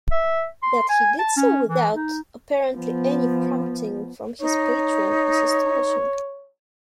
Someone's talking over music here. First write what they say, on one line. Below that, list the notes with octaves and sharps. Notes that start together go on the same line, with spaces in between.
That he did so without, apparently, any prompting from his patron is astonishing.
E5
C6
G#5
A5
C#4
E3
D#4
F3 B3
D#4 C#5